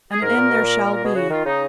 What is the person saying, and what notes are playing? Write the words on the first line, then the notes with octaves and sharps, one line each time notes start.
And an end there shall be.
G#4
G#2 A#4
A#2
B2
A#2
A#4
A#4
B2 G#4
C#3 F#4
D#3 F4
C#3 D#4